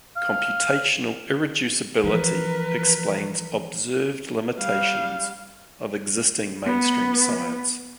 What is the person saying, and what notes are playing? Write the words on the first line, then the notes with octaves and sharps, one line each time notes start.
Computational irreducibility explains observed limitations of existing mainstream science.
F5
E3 F3 A#4 B4
G3 F5
B3